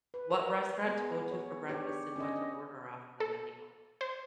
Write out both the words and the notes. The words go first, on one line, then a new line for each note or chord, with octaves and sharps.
what restaurant to go to for breakfast and what to order off of the menu. I
B4
A#4
B3 G#4
C#5
D4 G4 C#5
C#4 D4 D#5
A4
C5